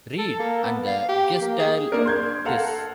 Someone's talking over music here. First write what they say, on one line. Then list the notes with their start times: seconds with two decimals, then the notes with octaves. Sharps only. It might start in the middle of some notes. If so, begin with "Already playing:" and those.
Reed and the Gestaltists.
0.18 A4
0.39 A#3
0.63 B3
0.87 F5
1.09 G4
1.41 A#3
1.59 G#4
1.92 A#3 D4 A#4
2.06 C6 G6 G#6
2.45 A4 A#4 F5 F#5 A5 A#5